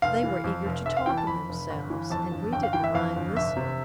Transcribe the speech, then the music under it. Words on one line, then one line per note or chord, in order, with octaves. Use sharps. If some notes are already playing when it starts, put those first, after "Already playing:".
They were eager to talk of themselves and we didn't mind listening.
F1 F5
E3
F2
F1
F1 E5
F5
E3 G5
A5
F2 B5
F1
G1
E3
F2 A5
G1
G1 G5
F5
E3 G5
E5
F2 F5
G1
F1 E5
C3